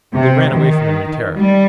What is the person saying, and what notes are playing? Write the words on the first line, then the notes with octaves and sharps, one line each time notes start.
They ran away from him in terror.
C3
D#3
G3